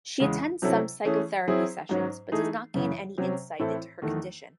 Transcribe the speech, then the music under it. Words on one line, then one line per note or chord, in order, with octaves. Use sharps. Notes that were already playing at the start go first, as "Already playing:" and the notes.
She attends some psychotherapy sessions, but does not gain any insight into her condition.
E2 C#3 G#3
C3 F#3 C#4 E4 A4
E3 A3 C#4 G#4
F#3 C4 E4 G#4
G#2 F#3 C#4
E3 A3 D#4 G#4
F#2 C#3 E3
C3 F#3 C#4
A2 E3 C4 E4 A4
E2 D#3 A3